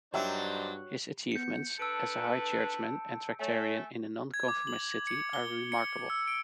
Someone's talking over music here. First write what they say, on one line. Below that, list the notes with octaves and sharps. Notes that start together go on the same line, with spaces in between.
His achievements, as a High Churchman and Tractarian in a non-conformist city are remarkable.
G2 F#3 D#4 G4 C5 D5 E5
B3 G6 C#7
D4 A4 B4 A5 E6 D7
A3 C#5 G#5
G#6
D6
F#7
C#7
G7
C#7
E6
D7